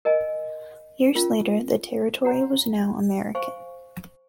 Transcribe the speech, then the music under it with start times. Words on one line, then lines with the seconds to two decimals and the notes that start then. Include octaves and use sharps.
Years later, the territory was now American.
0.05 A#4 D#5 G#5
1.15 C#4 F4 A#4
2.25 F#4 C#5 F#5 A#5
3.35 C5 F5 G#5 C#6